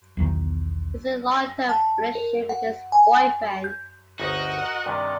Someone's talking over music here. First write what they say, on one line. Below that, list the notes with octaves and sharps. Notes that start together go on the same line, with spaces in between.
He is in a long term relationship with his boyfriend.
B1 E2 D#3
A5
A#4
F#5
G#5
G6
G1 D2 D#4 F#4 A#4 D#5 F#5
G2 C3 D#3 D5